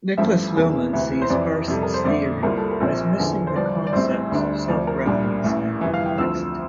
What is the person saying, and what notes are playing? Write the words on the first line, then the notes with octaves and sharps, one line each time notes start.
Niklas Luhmann sees Parsons' theory as missing the concepts of self-reference and complexity.
A1 G2 F3 A3 E5
E2 C3 E3 A#3
D2 C3 E3
C5
F2 C3 E3 D5
F2 C3 G3 A4
A#4
C5
F2 D3 A3 D5
C2 C3 G3 A#3 F4 A#4
A4
A#4
A#1 A#2 F3 C4
E2 D3 F3
C5
G1 G2 F3 D5
D5
A#1 A2 G3 C4 C5
D2 D3 G3 D4
D2 C3 F3 D5
A#4
C2 A#2 G3 A#3 D4
A1 A2 E3
G1 F2 C3 E3
F5
G5
D2 D3 F3 C4 F4 E6